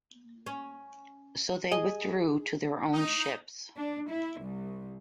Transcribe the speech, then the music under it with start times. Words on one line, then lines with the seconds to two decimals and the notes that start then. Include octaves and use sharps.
So they withdrew to their own ships.
0.46 C#4
1.72 G#4 D#5
2.93 D#4
3.76 D4
4.10 E4
4.41 C2